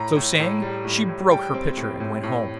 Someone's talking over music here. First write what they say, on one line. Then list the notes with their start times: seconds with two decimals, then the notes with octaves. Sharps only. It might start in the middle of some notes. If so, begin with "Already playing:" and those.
So saying, she broke her pitcher and went home.
Already playing: A2 A#5
0.16 A2
0.39 A2
0.62 G3
0.85 A2
1.08 A2
1.31 G3 G5
1.54 C4
1.77 A2
2.00 A2
2.23 A2